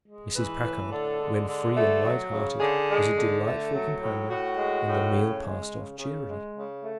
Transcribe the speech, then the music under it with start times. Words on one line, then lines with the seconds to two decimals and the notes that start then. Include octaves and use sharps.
Mrs. Packard, when free and light-hearted, was a delightful companion and the meal passed off cheerily.
0.06 G#3
0.34 E3 B4
0.62 A2 B4
0.90 D3 A4
1.19 G#3
1.47 D3
1.75 A3
2.04 F#3
2.32 C#3
2.60 D3 G#4
2.88 G#3
3.16 D3
3.45 A3
3.73 F#3
4.01 A2
4.29 A2 F#4
4.58 G#3
4.85 A2
5.14 C#3
5.42 G#3
5.70 C#3
5.98 C#3
6.27 G#3
6.55 C#3
6.83 A3